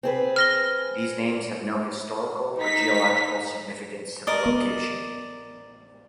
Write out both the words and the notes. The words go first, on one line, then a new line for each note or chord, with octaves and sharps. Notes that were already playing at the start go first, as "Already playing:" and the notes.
These names have no historical or geological significance to the location.
C4 G#4 B4
F6 A#6 G7
D#4 B6
A#4 D5 D#5
B3